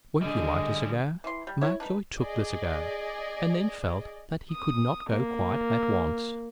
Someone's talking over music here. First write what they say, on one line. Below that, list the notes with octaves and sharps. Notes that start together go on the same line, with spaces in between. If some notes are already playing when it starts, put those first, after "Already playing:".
"Won't you light a cigar?" Mountjoy took the cigar, and then felt that he could not go quite at once.
D3 G3 G#4 D#5
E3 C6
G3
E4 C#5
D4 D#4 B4
G#4 D5 D#5
D#6
A#3